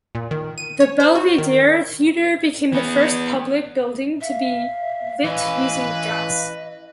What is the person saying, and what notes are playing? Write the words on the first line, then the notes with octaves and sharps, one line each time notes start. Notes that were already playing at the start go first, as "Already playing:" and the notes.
The Belvidere Theatre became the first public building to be lit using gas.
A#2
D#3
D#7
C#5
C5
F#4
D#3
E3 B3
E5 F5
E3 C#4 B4 D#5